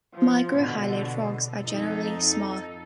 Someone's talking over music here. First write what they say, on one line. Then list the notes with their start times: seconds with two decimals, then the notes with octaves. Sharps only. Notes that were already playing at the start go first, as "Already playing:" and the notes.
Microhylid frogs are generally small.
0.14 F3
0.55 B2 D3
1.62 F2 D#4 A4